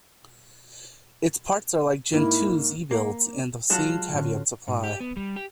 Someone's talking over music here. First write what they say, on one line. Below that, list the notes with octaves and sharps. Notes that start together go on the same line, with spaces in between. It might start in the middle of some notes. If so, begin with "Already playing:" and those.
Its ports are like Gentoo's ebuilds, and the same caveats apply.
G#2 A#3 E4
A#3 C#7
F#3 G#3 F4 F#4 A5
A2 D3 C#4
G#2
G4
B3
G3
G4